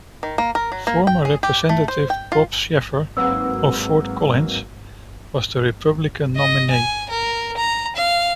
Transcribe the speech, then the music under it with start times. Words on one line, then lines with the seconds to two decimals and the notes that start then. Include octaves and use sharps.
Former Representative Bob Schaffer of Fort Collins was the Republican nominee.
0.23 D#3
0.38 A#3
0.55 A#4
0.72 F#3
0.87 A#3
1.07 G5
1.25 G#4
1.43 G4
1.69 A3
1.88 C5
2.10 G5
2.32 F4
3.17 G#2 F#3 A#3 C4 B4 F#5 E6
6.36 D#5
6.71 G#5
7.10 A#4
7.57 A#5
7.96 F5